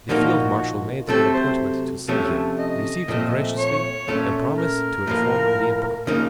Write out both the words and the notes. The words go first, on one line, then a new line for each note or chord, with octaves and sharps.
The field marshal made an appointment to see him, received him graciously, and promised to inform the Emperor.
A#2 F3 A#3 D#4 F#4
C3 F#3 A3 C4 A4
C5
C3 F3 A3 C#4
D#5
A#2 F3 A3 C4
C#5
A#2 A3 C#4
A#4
A2 F3 A#3
C#3 F3 A#3 D#4